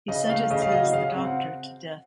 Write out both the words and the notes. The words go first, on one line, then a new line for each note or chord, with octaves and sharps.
He sentences the Doctor to death.
C#3 D#5
A3 F5
C#3 D#5
F5
F#3 D#5
C#3 F5
C4
F#5